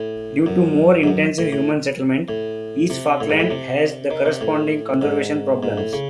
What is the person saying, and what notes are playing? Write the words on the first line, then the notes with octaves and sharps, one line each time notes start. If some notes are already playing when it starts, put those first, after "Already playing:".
Due to more intensive human settlement, East Falkland has the corresponding conservation problems.
Already playing: A2
F#2
G#2
F#2
A2
A2
A2
C3
A2
G#2
A2
C3
D#3
C3
A2
G#2
G#2
A2
C#3